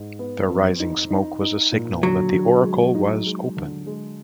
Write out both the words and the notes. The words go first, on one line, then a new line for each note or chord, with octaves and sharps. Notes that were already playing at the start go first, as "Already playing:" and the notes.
The rising smoke was a signal that the oracle was open.
Already playing: G#2
B3
F2
D#4
D#4
D#4
A#2
D3 F#3
D3
G#3
D#4
G#3
D3
G#3